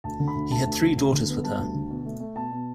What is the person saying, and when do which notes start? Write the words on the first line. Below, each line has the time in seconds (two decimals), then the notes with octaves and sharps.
He had three daughters with her.
0.04 D2 A5
0.20 D3
0.28 B5
0.35 D2
0.51 A3 A5
0.66 D2
0.81 D3
0.96 D2
1.12 D3
1.28 B3
1.43 G3 A5
1.59 D2
1.74 D3
1.90 B2
2.05 A3
2.20 A3
2.35 B2 A5
2.52 B2